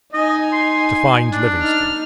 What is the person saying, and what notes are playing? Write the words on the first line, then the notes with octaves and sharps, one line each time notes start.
"To find Livingstone."
D#4 D#5 G#5
C6
D4
D#4 F6